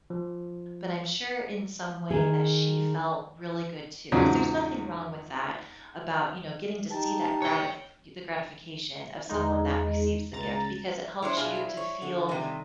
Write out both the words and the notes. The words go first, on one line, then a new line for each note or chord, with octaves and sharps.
but I'm sure in some way that she felt really good too 'cause there's nothing wrong with that about, you know, getting to see that gratif the gratification of someone that receives the gift because it helps you to feel
F3
D#3 G#4
E2 G#2 C#3 F3 F#3
D#4 G4 A5
C#5 G5
E2 G#3 D#4
C#2 A#5 A6
G3 D4 E4 C5 C#5
B2 F4 G#4
C5
C#5
D3 D4 G#4
C3 D#3 G3 A3 D#5